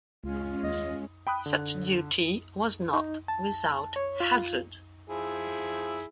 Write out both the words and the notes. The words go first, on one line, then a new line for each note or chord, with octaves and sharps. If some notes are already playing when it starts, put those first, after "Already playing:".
Such duty was not without hazard.
C#2 G#3 C#4 F4
D#2 D#5
G5 B5 D#6 F#6
D3
D#4
A5
C#5
F4
F3 E4 G#4